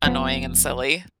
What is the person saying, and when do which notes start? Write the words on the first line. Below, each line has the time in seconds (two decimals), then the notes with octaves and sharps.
annoying and silly,
0.03 F1 F3 B3